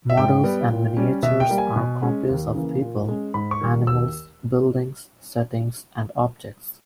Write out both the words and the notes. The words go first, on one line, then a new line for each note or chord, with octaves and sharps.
Models and miniatures are copies of people, animals, buildings, settings and objects.
E5
G#2 G5
G3 B3
A#2
G3 C#4
B2 E5
G5
G3 A#3
G#5
B2
G#3 C#4
D#2
C#3 E3 A#3
A#2
G#3 C#4
G#2 B5
C#6
D#3 G3 A#3
D#2 E6